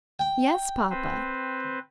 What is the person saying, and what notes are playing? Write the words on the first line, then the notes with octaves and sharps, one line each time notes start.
"Yes, papa."
G5
C4 B4 C5